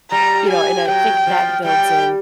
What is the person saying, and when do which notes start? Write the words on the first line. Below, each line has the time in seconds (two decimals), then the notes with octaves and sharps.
you know, and I think that builds in
0.12 G3 A#5
0.50 G#5
0.88 F#3 G5
1.27 F3
1.64 G3 G5